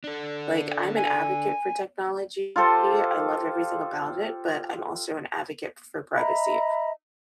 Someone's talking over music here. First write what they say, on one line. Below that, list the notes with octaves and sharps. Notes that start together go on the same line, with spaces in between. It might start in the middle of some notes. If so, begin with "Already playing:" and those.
Like, I'm an advocate for technology, I love everything about it, but I'm also an advocate for privacy.
D4 A4
G#5
F4 G4 A4 C5
D#5 E5 A#5 B5